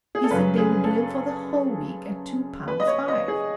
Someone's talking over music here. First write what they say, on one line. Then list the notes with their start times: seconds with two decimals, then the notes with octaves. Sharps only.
He said they would do him for the whole week at two pounds five.
0.15 G#4
0.24 A4
0.31 F#2 C#3 F#3 B4
0.57 G#4
0.84 A4
2.68 B4
2.80 D#5
2.87 C#5
3.08 D#5
3.28 G#4